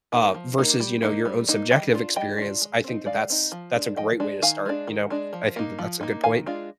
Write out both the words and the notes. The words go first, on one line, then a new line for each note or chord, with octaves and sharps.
uh, versus, you know, your own subjective experience, I think that that's that's a great way to start, you know? I think that that's a good point.
A#3 D#4
F3
A#3 D#4
G3
A#3 D#4
G3
A#3 D#4
G3 D#5 G5
D4 F4
G3 D#5 G5
D4 F4
G#3
C4 D#4
G#3 D5 F5
C4 D#4
F3
G#3 D4
F3 D#5 G5
G#3 D4
D#3 F5 G#5
G#3 D4
D#3
G#3 D4
F3
A#3 D#4
F3
A#3 D#4
D#3 F5 G#5
G#3 D4 F4